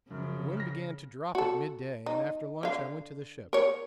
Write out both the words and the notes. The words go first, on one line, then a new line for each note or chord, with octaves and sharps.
The wind began to drop at midday, and after lunch I went to the ship.
F#2 C#3 F3
F6 A#6
F#4 A4
D#4
D3 F5
A#4 C#5